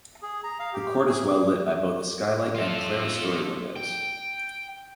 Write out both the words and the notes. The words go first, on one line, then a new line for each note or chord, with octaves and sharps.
The court is well lit by both a skylight and clerestory windows.
G#4
A#5
F5
G4
G#4
F4 A4
G5